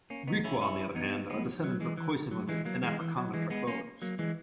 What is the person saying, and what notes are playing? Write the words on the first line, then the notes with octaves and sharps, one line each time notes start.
Griqua, on the other hand, are descendants of Khoisan women and Afrikaner Trekboers.
A#3 C#4
B3 D#4
C#4 E4
C#4 E4
B3 D#4
G#3 B3
F#3
E3 G#3
E3
F#3
E3 G#3
F#3 A#3
E3 G#3
E3
F#3
E3 G#3
G#3 B3
A#3 C#4
F#3 A#3
E3 G#3